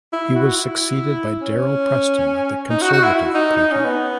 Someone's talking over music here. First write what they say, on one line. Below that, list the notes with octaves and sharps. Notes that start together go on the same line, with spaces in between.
He was succeeded by Darryl Preston of the Conservative Party.
E4
F#4
E4
C#4
D#4
F#4
F#4
E4
D#4
D#4
C#4
B3